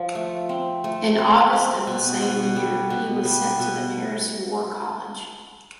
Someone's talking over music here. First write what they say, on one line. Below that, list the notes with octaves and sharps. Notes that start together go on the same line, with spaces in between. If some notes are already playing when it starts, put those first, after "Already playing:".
In August of the same year he was sent to the Paris War College.
Already playing: F3
A3
C4
A3
C4
C4
B2
B2
G3
B2
G3
B2